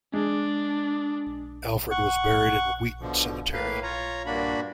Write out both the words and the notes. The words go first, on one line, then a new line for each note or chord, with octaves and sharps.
Alfred was buried in Wheaton Cemetery.
G#3 D4
F#5 C#6
B2 D3 F3
A2 A#3 B4 F5
F4 C#5 A#5
G2 A#2 A#3 D4 F#4 B5